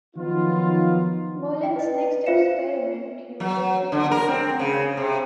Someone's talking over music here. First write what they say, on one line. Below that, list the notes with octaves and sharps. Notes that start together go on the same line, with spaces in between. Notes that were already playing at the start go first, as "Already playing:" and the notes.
Merlin's next experiment uses hypnotism.
D#3 F3 F#3 B3 D#4 F4
G5
B4 D#5
F4 C5 E5 F5 C#7 E7
F#3
D3
A#4
C4
C#3
C3